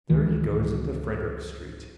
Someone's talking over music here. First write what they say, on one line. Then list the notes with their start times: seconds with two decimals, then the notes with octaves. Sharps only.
There he goes into Frederick street.
0.10 C#2 D#3 E3